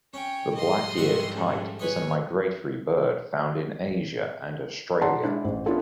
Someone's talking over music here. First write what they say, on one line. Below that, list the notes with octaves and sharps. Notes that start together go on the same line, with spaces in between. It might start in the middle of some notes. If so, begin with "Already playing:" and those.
The black-eared kite is a migratory bird found in Asia and Australia.
C#4 C#5 G5
G#2 F3 G3 D#5 C6
E5 F#5 C#6
A3 C#4
B4 C#5 D#5 G#5
C#5 D5 F#5 A5 A#5 C6
G#3 D4 E4
A1 C5
B3 C#4 D4 E4 F4 A4